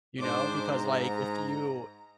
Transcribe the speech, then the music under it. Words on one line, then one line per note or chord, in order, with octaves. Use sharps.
You know, because, like, if you
G#2 D4 C5 D6
A#5